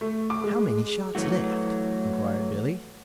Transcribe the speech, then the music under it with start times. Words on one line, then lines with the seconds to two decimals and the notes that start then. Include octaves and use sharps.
"How many shots left?" inquired Billy.
0.01 A3
0.30 D6
0.44 G#3
1.15 E3 F#3 A3 F#4